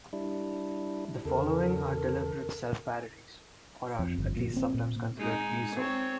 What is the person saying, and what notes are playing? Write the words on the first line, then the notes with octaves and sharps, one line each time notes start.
The following are deliberate self-parodies or are at least sometimes considered to be so.
G3 D4 E4
E2 C#3 A4 A#4
F2
G1
A#2
C4
A#2
G#3 D#4
C4 C#5